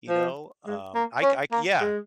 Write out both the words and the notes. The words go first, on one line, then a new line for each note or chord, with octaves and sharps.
you know? Um, I c I c yeah,
F3
G#3
A#3
C#4
A#3
G#3